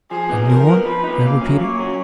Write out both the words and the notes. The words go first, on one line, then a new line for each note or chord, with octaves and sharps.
'A new one?' I repeated.
F3 G#4
B3 D#4
F3 A#4
B3 D#4
F3 B4
B3 D#4
A#2 F5
F#3 C#4
A#2 C#5
F#3 C#4